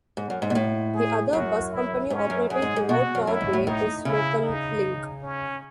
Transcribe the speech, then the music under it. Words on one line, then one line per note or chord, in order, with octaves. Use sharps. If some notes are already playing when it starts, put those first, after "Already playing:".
The other bus company operating throughout Torbay is Local Link.
G#2
F#2
G#2
B2
A2
G#4
F#2 F#4
E4
G#2 C#4
F#2
F#2 G#4
G#2
G#2
B2 F#4
F#2
F#2 E4
G#2
A2
A2 D#4
C#3 E4
D#4
C#4